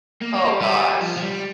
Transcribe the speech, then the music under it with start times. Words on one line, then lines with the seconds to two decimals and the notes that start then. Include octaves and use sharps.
Oh, gosh.
0.22 A#3
0.35 A#3
0.48 G3
0.61 G3
0.81 G3
1.01 F3
1.17 F3
1.22 G3